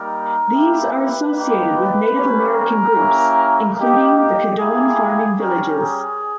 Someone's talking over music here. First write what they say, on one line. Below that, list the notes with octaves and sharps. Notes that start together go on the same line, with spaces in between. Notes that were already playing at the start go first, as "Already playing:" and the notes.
These are associated with Native American groups including the Caddoan farming villages.
Already playing: G3 A#3 D#4 A#4
A#3 E4 G4
B4
A#3 D#4 G4
B4
G3 A#3 C#4 G4
A#4
A#3 C#4 E4 G4
A#3 D#4 G4
G4
A#3 E4 G4 G#4
G3 C#4 G4 A#4
G#4